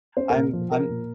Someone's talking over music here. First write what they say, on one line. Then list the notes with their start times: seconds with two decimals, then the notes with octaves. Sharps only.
I'm I'm
0.17 C#4 C5
0.30 A#2 A#4
0.53 F3
0.71 F3 A#4
0.89 A#2